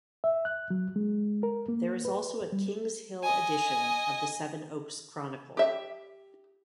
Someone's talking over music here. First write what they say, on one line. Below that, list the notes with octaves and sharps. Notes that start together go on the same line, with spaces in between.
There is also a King's Hill edition of the Sevenoaks Chronicle.
E5
F#6
F#3
G#3
A#4
A#3
B4
G3
D#5 G#5
G4 E5